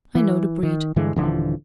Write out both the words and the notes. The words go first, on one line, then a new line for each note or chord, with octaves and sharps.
I know the breed.
E3
D#3
G2 D3 E3 G#3
D#1 D3 E3 F3